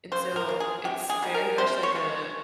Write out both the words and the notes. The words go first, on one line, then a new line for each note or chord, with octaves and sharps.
And so it's very much like a
C#3 C5
A#4
F3 A#3
G#4
C3 G4
G#4
D#3 G3 A#3
A#4
C3 C5
C#5
F3 G#3